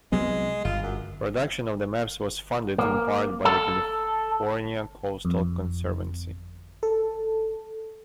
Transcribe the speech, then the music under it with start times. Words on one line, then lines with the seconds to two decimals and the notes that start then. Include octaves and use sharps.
Production of the maps was funded in part by the California Coastal Conservancy.
0.12 C2 F#3 G#3 B3
0.65 G1 F4
0.83 F#2
2.78 A#3
3.45 A4
5.25 F2
6.83 A4